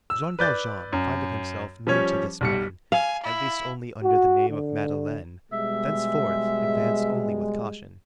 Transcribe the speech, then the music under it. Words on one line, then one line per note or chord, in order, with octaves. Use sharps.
Jean Valjean, finding himself known to this man, at least only under the name of Madeleine, thenceforth advanced only with caution.
E6
B4 D5 G6 A6
F#2
F3 G3 C#4 C#5
B1 G3 C#7
F5 G#5
E4
F#4
D3
B2 G3 G#3 E5